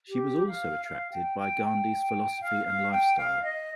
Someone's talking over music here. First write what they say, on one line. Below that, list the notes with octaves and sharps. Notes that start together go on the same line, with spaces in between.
She was also attracted by Gandhi's philosophy and lifestyle.
G4
F5
F5
G5
G5
G5
F5
F5
G5
F5
D#5